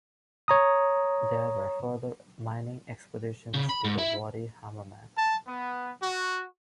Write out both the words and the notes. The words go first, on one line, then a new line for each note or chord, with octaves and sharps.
There were further mining expeditions to the Wadi Hammamat.
C#5 A#5 D#6
C#3
B5
G#2
E4
A5
B3
F#4